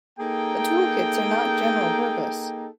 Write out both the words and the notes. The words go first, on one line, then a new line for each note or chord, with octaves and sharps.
The toolkits are not general purpose.
A#3 D#4 G#4 A4 G5